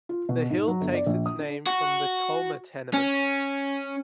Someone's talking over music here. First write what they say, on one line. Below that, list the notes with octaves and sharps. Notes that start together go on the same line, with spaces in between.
The hill takes its name from the "Colmer Tenement".
F4
B2
G#2
F#3
G1
D5
A#1
D#6
D4
F#4
C#4